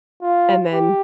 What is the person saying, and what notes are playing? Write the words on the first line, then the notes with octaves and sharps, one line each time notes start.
and then
F4
G4